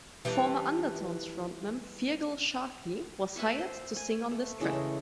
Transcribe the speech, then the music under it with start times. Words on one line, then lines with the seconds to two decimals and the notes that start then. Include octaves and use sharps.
Former Undertones frontman Feargal Sharkey was hired to sing on this track.
0.25 E3 G3 D4
3.36 B4 E5 G#5 C#6
3.58 C5
3.96 G#5
4.31 A3
4.60 C#3 E3 G#3 A3
4.73 C#3